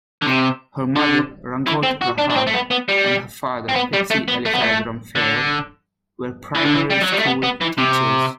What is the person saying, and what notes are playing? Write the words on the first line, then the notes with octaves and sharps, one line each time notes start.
Her mother, Rangoato Rahab, and her father, Pitsi Eliphaz Ramphele were primary school teachers.
D3
C3
D3
E3
C4
F#4
D4
D4
C4
A3
B3
B3
G3
C4
B3
G3
A3
B3
A3
B3
A3
D3
E3
D3
E3
G3
F#3
G3
A3
B3
B3
E3
C3